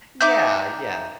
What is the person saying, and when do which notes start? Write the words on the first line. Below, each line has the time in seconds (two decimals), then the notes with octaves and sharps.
Yeah, yeah.
0.21 D#4 E5 D6 G6